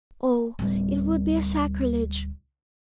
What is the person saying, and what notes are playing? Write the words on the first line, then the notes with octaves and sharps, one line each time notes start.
Oh, it would be a sacrilege.
D1 G3